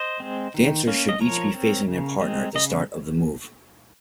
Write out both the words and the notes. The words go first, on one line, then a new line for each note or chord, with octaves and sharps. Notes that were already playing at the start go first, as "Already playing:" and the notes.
Dancers should each be facing their partner at the start of the move.
Already playing: C5 D#5
G#3 C4
D#3
A#3 C#4
D#5
F3 A#4 C#5
C4
C#3
G#3 C4
C#3 D#5